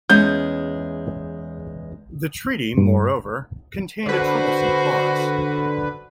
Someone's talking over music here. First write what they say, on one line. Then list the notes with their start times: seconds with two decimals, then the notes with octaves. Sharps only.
The treaty, moreover, contained a troublesome clause.
0.10 E2 G#3 C#4 G6
2.78 G2
4.06 D3 F#4 B4 C5